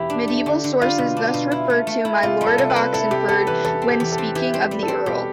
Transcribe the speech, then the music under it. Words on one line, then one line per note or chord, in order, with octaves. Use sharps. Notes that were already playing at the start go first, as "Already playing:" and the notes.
Medieval sources thus refer to 'my lord of Oxenford' when speaking of the earl.
Already playing: E2 B2 E4 G4
D4
A3
D3
D3
G3 F4
B2
D4
B2
E4
A3
A3
E4
C3 F4
G3
A4
C3
B4
C4
E4 A4
C3 G4
B3 A4
E3 B4
E2 A4
C4
G4
E2
A4
C4
E3 G4
C4
G3
A4
C4
B2 G4